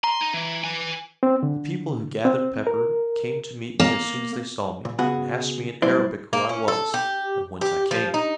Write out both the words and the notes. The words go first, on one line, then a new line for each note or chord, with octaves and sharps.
The people who gathered pepper came to meet me as soon as they saw me, and asked me in Arabic who I was, and whence I came.
A#5 C6
D#4
E3
B4 G#5
C4
D3
C4
A#4
A#3
A#2
C#3 B3 F#4 G#4 F#5
C2 F#2 A2 E4 C5 D5
A#3
C#4
A4
G4
G4
F3
D#4